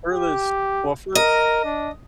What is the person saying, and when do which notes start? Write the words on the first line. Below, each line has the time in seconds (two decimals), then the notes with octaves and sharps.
Furthest well, fur
0.13 G4
1.15 A#4 D#5
1.65 D4